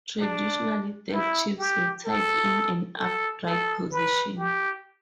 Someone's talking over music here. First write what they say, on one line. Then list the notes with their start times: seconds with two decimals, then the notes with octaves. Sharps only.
Traditionally dead chiefs were tied in an upright position.
0.19 D4
1.13 E4
1.58 G4
2.06 A4
2.98 A4
3.46 A4
3.91 B4
4.38 G4